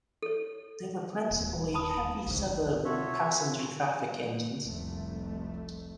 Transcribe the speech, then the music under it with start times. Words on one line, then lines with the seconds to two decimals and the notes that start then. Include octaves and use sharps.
They were principally heavy suburban passenger traffic engines.
0.23 A4 C#5
1.31 D#1
1.74 A5 B5 D#6
2.26 G1 C#2 G#2
2.85 F4 F#4 A4 C#5 E5
4.61 F1 C2 F2 A3